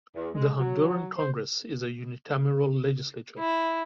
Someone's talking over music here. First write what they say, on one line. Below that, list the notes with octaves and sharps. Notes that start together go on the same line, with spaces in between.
The Honduran Congress is a unicameral legislature.
E2
G#3
F#3
C5
E4